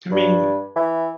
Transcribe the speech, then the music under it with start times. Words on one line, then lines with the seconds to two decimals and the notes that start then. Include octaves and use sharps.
I mean
0.12 G2
0.76 E3